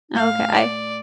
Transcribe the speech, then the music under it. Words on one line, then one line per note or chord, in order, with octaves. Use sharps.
Okay. I
A2 F5
D5